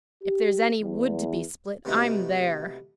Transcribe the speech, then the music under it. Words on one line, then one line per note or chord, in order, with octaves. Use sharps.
"If there's any wood to be split, I'm there!"
G4
E2
C3 A3 B3 D#4 E4 F#4